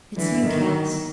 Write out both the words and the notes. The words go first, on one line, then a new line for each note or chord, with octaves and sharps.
Hit's you, Cass.
D3 E3
D#3